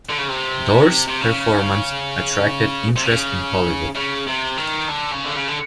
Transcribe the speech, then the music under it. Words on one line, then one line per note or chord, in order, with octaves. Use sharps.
Dors' performance attracted interest in Hollywood.
D3
C#3
C3
C3
C#3
C3
C#3
C#3
C3
D#3
D3
C#3
D3
C#3
D3